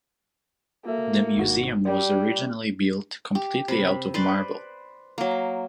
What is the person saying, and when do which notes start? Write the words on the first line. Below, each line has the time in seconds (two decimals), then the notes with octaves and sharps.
The museum was originally built completely out of marble.
0.85 A#3 F#4 A4 E5
1.37 G#1 F#4
1.85 G3 D5
3.35 G4
3.68 C3 B5
4.14 B4 C5 D5
5.18 F#3 A#3